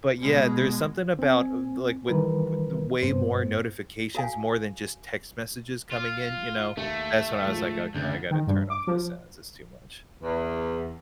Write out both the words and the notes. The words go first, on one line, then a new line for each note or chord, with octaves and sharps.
but, yeah, there's something about, uh, the like, with with the way more notifications, more than just text messages coming in, you know, that's when I was like, "Okay, I gotta turn off the sounds. It's too much."
B2 G#3
C4 G#5
D#3 E3 G3 A#4 B4
G2 B3 C5
F#4 A4 F5 G#5
F4
D#2 A3
D2 G#2 F3
F#1 D2 C#3 A6
D#3
G2
D6
F3
E2